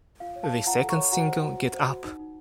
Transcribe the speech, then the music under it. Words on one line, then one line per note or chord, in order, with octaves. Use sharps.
The second single Get Up!
F4 F5
C#5
F5 A5
C#5
F4 F#5 A#5
A4
A#5 C#6
C#5
F#4 F#5 A#5
C5
F#4
F#4
C5
F#4
D#4
D#4